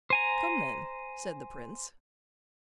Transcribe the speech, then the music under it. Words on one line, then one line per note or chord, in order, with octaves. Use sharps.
"Come, then," said the prince.
C5 G#5 A#5